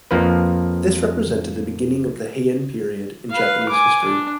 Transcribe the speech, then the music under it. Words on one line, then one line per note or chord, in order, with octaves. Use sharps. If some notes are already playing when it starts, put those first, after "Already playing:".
This represented the beginning of the Heian period in Japanese history.
F2 F3 A#3 B4
B4 F5
G#5 D6
D4